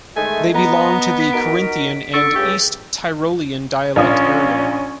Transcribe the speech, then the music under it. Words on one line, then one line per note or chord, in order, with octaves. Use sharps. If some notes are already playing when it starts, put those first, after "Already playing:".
They belong to the Carinthian and East Tyrolean dialect area.
D#3 G#3 A3 G#5
B3 D#5 A#5
B6
D#4 F#4 A#4 D7
D3 C#6 E6 A6 D7
C#2 G4
A#1 C#4 F4 D#6